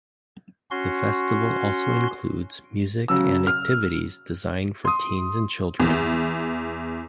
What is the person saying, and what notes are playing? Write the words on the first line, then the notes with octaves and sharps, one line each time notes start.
The Festival also includes music and activities designed for teens and children.
C#4 F#4 C6
C#3 F#3 E6
F6
C6 D#6
E2